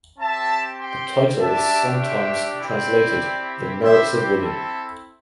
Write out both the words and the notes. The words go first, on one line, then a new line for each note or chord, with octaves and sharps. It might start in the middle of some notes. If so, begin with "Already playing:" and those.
The title is sometimes translated The Merits of Women.
C4 G4 E5 A5
G5 C6
A3 D4 G4 E5 A5
C5 E5
C4 E4 G4 D5 G5
C4 E4 G4 C5 E5
G4 C5
A4